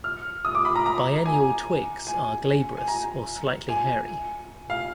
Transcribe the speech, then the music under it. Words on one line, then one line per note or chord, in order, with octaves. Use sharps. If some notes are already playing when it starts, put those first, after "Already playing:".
Biennial twigs are glabrous or slightly hairy.
F6
D#6
D6
B5
A#5
A#5
G#5
G#5
G#5
A#5
G#5
F5